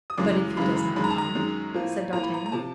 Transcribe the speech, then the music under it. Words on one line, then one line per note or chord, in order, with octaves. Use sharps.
"But if he does not come?" said d'Artagnan.
D#6
F#2 C#3 E3 G#3 D6
F#2 C#3 E3 G#3 B5
B5
F#2 D#3 G#3 B5
A#5
A5
A#5
F#2 D#3 G#3
A2 F3 A#3
A2 F3 A#3 A#5
B5
A#5
A#5
C3 F3 A5